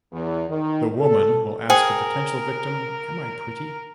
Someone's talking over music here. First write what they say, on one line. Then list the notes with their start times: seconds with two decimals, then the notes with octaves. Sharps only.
The woman will ask a potential victim Am I pretty?
0.12 E2
0.49 D#3
0.99 A4
1.70 G#4 A#4 C5 G5